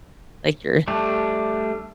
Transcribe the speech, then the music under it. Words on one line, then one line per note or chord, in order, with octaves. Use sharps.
like you're
G3 A3 D4